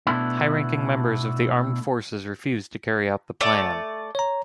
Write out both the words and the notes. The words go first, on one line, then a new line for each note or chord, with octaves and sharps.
High-ranking members of the Armed Forces refused to carry out the Plan.
B2 A3 B3 D4 E4
A3 D5
C#5 A#5